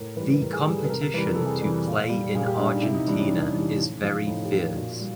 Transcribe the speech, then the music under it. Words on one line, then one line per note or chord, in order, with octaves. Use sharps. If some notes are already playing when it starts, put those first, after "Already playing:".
The competition to play in Argentina is very fierce.
Already playing: A2 A#4
E3 G3 B4
B4
A2 A#4
G#4
E3 G3 G4
A4
B4
C3 A#4
A#4
E3 G3 B4
A#4
C3 A4
G#4
A4
E3 G3
A#2
G3
A#2 G#4
G4
G3 D4
D#4
C3 E4
D#4
E3 G3 D4
C#4
C3
E3 G3
A2
F3
A2 D#4
G4
F3
G4
A#2 F#4
F4
G3